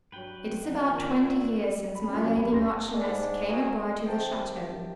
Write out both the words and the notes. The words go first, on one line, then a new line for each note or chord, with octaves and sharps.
'It is about twenty years since my lady Marchioness came a bride to the chateau.
G2 F#3 B4 G5
C#3 E3 F3 D4 C#5 F#5
A#2 D#3 C4 D#4
F#4 E5
B4 G5 G#6
B5
C#4 F4
F3 C#4 F#4
A1 D2 G3 B3 G4 B5
C#4 C6 A#6
G#3 D4
G#2
F#4 G#4 A#4
C3 D#3 G5 A5